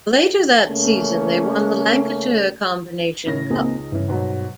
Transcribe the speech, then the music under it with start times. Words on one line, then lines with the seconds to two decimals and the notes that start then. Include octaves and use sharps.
Later that season they won the Lancashire Combination Cup.
0.68 C#3 A3 A#3 C#4
3.26 A2 C#3 A#6
3.50 C#2 A#3 C4 D#4 G#4
3.92 G2 C#3 E3
4.08 G#2 B2 F#3